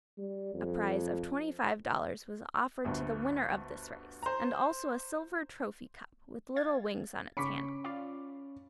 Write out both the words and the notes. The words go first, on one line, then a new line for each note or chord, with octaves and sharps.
A prize of twenty-five dollars was offered to the winner of this race, and also a silver trophy cup with little wings on its handles.
G3
F2
G1 D2 G2
C5 A#5
F5 G#6 A6
C#3 C#4 B5 C#6 D6 B6 C#7
F4 D5 F5